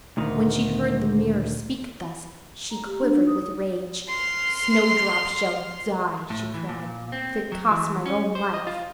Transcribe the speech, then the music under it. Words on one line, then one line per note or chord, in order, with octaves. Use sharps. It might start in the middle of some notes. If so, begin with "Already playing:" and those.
When she heard the mirror speak thus, she quivered with rage. "Snowdrop shall die," she cried, "if it costs my own life!"
D2 A#2 D#3
A#5
G4
D4
D#4
D#6
C6 F6
A2
E3
A#2
C4
F#3
E3
C#4
C5
D#5
F4